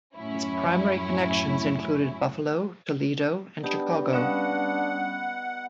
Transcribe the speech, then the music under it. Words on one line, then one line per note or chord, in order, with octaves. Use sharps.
Its primary connections included Buffalo; Toledo; and Chicago.
F#2 A2 F#3 C#4 E4
G3 B3 D4 D#4 G4 A5
G3 C#4 B4 D#5 F5 F#5